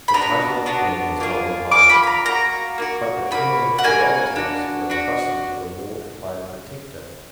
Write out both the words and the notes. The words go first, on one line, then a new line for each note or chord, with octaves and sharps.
The title of King was not revived; but the kingly prerogatives were intrusted to a Lord High Protector.
B5
B3 D4 F#4 A#5
B3 D4 F#4
A#3 F4 G#4
A#3 F4 G#4 D6
B5
B5
A#5
A#3 D#4 F#4 A#5
A#3 D#4 F#4
A#3 D#4 F#4 B5
F#5
A#3 D#4 F#4 G#5
D4 F#4
D4 F#4